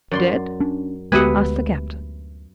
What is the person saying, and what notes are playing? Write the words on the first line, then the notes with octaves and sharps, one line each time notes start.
"Dead?" asked the captain.
F#2 D5 C6
C#4 D4
D2 G#3 B3 F#4 G4 B4 E5 F#5